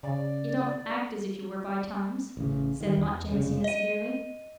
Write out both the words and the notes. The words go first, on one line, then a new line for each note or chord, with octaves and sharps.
"You don't act as if you were by times," said Aunt Jamesina severely.
C#3 D5
A1 C#3
D#3 G3
E2
F1 C#3
D#5 D#7